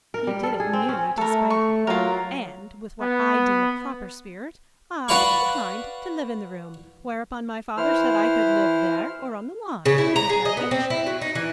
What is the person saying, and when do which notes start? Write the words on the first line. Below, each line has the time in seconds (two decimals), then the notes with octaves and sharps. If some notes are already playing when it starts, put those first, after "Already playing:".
He did it merely to spite me, and, with what I deem a proper spirit, I declined to live in the room; whereupon my father said I could live there or on the lawn, he didn't care which.
0.14 A#4
0.27 G3
0.43 A4
0.60 G#4
0.73 C4
0.89 C#4
1.18 A3 A4 A#4
1.50 C#6
1.87 F#3 F4 A#4
3.02 B3
5.08 F#4 B4 D5 F5 B5 C#6
7.77 E3 E4 C5 F6
9.86 C#3
9.98 E4
10.16 A#5
10.29 G#4
10.45 D#5
10.57 B3
10.71 C4
10.90 E4
11.06 F#3
11.22 D#4
11.35 E3